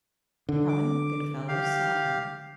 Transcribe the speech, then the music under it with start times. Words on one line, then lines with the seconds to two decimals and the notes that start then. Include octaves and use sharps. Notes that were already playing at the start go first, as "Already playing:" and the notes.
Robin Goodfelllow saw her.
0.49 D3
0.68 D6
1.48 G4 F5